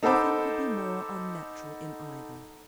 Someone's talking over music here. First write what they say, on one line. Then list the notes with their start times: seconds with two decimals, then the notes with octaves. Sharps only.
Nothing could be more unnatural in either.
0.03 D#4 A4 C5 F#5 B5 D6